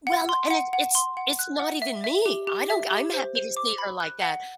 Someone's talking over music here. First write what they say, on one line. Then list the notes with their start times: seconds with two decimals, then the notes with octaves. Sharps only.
Well and it it's it's not even me. I don't g I'm happy to see her like that,
0.07 F#5
0.29 C6
0.50 F#5
0.73 F#5
0.95 C6
1.17 F#5
1.39 F#6
1.59 F#5
1.82 E5
2.04 E5
2.26 G4
2.47 G4
2.70 E5
2.91 G4
3.14 C5
3.35 C5
3.57 D6
3.78 B5
4.00 F#6
4.22 F#5